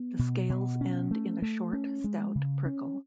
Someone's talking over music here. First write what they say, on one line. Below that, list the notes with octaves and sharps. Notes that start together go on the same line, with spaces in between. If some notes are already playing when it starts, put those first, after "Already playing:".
The scales end in a short stout prickle.
Already playing: B3
B2
B2
C#4
A3
A3
C#4
G#3
C#3
C#4